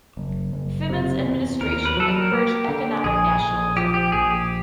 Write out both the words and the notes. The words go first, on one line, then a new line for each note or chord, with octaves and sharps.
Phibun's administration encouraged economic nationalism.
F#1
F#1
C3
E2
D#2 A#4
B4
F#3 A4
A#4
A#3 G4
D3
A#1 G#4
A#1
F3 G4
G4
A#1 G#4
G4